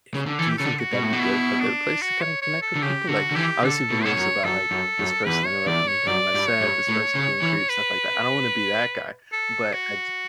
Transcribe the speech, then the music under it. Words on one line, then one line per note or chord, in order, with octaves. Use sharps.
eh do you think that that'd be good a good place to kinda connect with people? Like, I always see videos about, like, this person interrupting me during my set, this person's being creep stuff like that, I don't wanna be that guy. But I'd j
C#3
D3
E3 A4
G4
C#3 A4
D3
F#4
B2
A2
B2
E4
D4
F#4
C#5
C#5
A4
D3
C#3 G4
D3 F#4
D3
E3 G4
D3 A4
B2
A2
B2 C#5
F#2
F#2 A4
F#2
F#2
E2 B4
C#5
E2 D5
C#5
F#2 D5
G2
C#5
G2
A2
C#3
E3
B4
A4
F#4